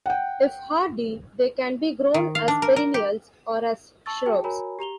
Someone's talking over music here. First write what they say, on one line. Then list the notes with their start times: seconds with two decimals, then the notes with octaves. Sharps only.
If hardy, they can be grown as perennials or as shrubs.
0.06 F#5 G5
2.14 D#3
2.35 F5
2.48 D4
2.62 A#4
2.76 A#4
2.94 G4
4.06 A5 C#6 E6 A6
4.26 F#4 G#4 G5 A5
4.44 F#4 A#4 C#5 G#5 A#5 B5
4.79 G4 A#5 F7 G7